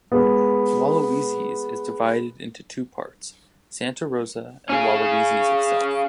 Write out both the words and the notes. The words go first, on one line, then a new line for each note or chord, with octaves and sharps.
Hualahuises is divided into two parts: Santa Rosa and Hualahuises itself.
G#3 B3
C#4 G#4